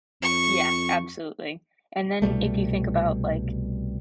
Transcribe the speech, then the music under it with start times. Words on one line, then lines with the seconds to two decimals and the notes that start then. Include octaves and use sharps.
Yeah, absolutely. And then if you think about, like,
0.22 F2 C#6
2.22 C2 B2 G3 A3